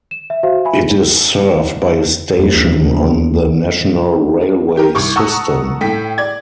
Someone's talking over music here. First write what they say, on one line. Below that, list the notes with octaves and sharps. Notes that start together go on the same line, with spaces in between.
It is served by a station on the national railway system.
E7
E5
F#4 C5 E5 F5
E5 G#5 B5
A#1 F2
D#2
G4 A#4
C2 C#6 D6
F#5 A5 A#5 C#6 D#6 E6
A2 A4 G5 B6
D5 G#6